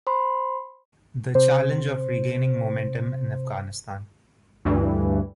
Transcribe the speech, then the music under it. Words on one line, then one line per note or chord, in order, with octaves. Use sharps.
The Challenge of Regaining Momentum in Afghanistan.
C5 B5 C6
C3 C5
D2 G2 E3